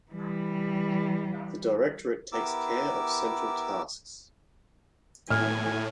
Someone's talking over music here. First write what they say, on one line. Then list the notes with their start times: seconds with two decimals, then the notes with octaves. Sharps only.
The directorate takes care of central tasks.
0.12 E3 G3
2.32 B3 E4 G4 A#4 D6 E6
5.30 A2 G#5 F6